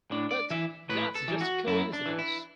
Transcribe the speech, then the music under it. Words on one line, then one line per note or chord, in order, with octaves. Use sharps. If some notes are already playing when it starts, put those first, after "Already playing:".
But that's just a coincidence.
A2 D4
D5
E3 E5
A2 B4
A4
E3
F#4
F#2 E4
D4
E3
E4